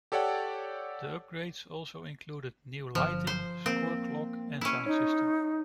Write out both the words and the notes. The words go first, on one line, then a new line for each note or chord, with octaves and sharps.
The upgrades also included new lighting, score clock and sound system.
G4 A4 C#5 D5 F#5 G5
G1 F3
C5
A#3 C4
C#4 E4
D#4 C#5